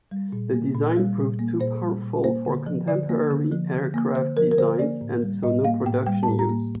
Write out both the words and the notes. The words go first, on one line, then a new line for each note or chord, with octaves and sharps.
The design proved too powerful for contemporary aircraft designs and saw no production use.
G3
A#2
A#3
A#2
G3
A#2
A#3
A#2 C5
G3
A#2
A#3 C5
D3
F3
D3 D5
A#3
D3
F3
D3
A#3
D3 C5
F3 A#4
A#4
D3 C5
A#3 D5
A2
G3
A2 D#5
A#3 F5
A2 G5
G3 G5
A5
A2
A#5
A#3